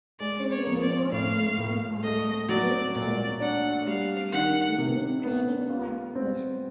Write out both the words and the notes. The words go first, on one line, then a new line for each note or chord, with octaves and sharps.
The name was taken from the Greek term "Askesis", meaning 'training' or 'application'.
G#3 D5
C#5
F3
D5
A2 F5
A2
A3 D#5
F#3 D5
A#2 D5
D4 F#5
G3 F5
D#3 F#5
C3
B3
F4
C4